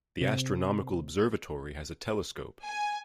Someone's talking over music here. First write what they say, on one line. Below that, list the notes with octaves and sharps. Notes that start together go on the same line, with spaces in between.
The astronomical observatory has a telescope.
C3
G#5